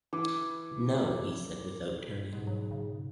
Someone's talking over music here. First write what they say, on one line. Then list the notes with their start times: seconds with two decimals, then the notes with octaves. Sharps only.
"No," he said without turning.
0.13 E3 D6
2.32 G#2 B2
2.47 F#3
2.71 C#3